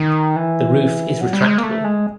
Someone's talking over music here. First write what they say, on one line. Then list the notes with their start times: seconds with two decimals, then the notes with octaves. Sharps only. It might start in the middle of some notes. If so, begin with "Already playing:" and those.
The roof is retractable.
Already playing: D#3
0.36 E3
1.21 F#3
1.33 G3
1.42 G#3
1.58 A#3
1.63 A3
1.84 G#3